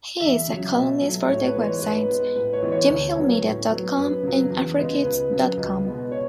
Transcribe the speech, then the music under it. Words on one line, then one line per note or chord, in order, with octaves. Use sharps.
He is a columnist for the websites JimHillMedia dot com and AfroKids dot com.
E2 E5
C#3 F#3
B2
F#3 A3
A2 C#5
B4
E3 G#3 B3
C#5
G#2 B4
G#3 B3
A2 B4
C#5
E3 G#3 B3
C#5
D2
C#3 F#3 B3
A2
F#3 B3
F#2 B4
C#3 F#3
E2
C#3 G#3 B3
C#2 B4
C#3 F#3
C#2
B2 G#3 B3
B2 C#5